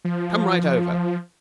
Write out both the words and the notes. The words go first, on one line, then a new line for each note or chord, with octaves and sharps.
Come right over.
F3